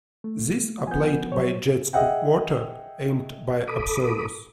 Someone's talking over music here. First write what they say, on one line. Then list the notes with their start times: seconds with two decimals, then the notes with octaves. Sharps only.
These are played by jets of water aimed by observers.
0.24 A3
0.87 F3 B3 G#5 G6
1.32 F#3 C5 C#5
1.93 G#4 D#5 E5 F#5 G5
3.67 A4 B5 D6 D#6